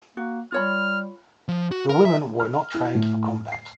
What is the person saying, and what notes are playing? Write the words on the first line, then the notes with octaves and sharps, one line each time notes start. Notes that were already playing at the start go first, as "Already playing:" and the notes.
The women were not trained for combat.
A#3 F#4
G3 F4 C#5 B5 F6
F3
F#4
A#4
E5
F6
E4
A2
C7